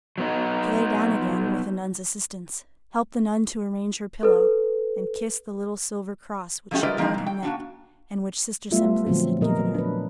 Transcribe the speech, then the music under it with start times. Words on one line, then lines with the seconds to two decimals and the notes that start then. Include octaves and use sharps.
She lay down again, with the nun's assistance, helped the nun to arrange her pillow, and kissed the little silver cross which she wore on her neck, and which Sister Simplice had given her.
0.18 F#3 B3 D#4
4.23 A4 B4
6.71 F3 G#3 A3 C#4 F#4 G4
6.83 E4 F4 A#4 B4 D5 D#5
6.97 E3 F3 A#3 C4 D4 D#4
7.14 B2 E3
7.27 G5
7.43 A#3 D4 F#4
8.71 F#3 G3 A3 B3 F4 E5
9.07 A#2 D3 F3 F#3 C4
9.41 A#2 F3 F#3 B3 A#4 D#5
9.59 F#3
9.75 D4 B4